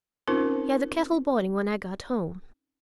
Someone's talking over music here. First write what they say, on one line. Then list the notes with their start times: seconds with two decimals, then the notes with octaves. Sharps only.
He had the kettle boiling when I got home.
0.27 C4 C#4 D#4 F4 A#4 C5